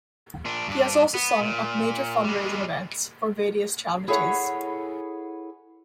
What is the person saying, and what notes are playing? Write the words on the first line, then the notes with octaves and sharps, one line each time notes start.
He has also sung at major fund-raising events for various charities.
A#2 D4
G2 D4
B3
A#2
G3 G#3
E4 G#4 A4 B4 C#5 F#5